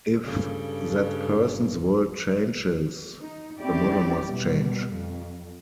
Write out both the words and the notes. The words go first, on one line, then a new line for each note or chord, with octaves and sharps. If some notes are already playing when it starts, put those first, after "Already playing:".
If that person's world changes, the model must change.
G2 C#3 A4
D#4
C4 C#4 E4 G4 D5
B2 G3
F2